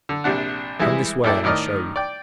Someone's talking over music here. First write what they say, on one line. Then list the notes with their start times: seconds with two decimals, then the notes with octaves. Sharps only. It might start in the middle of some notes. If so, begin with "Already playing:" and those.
Come this way and I'll show you.
0.09 D3
0.24 A#1 C3 D4 F#5
0.79 E3 G3 G#3 E4
1.24 A#1 E4 A4 D5 G5
1.44 A2 D#3 D5 D#5 F6
1.96 D5 G5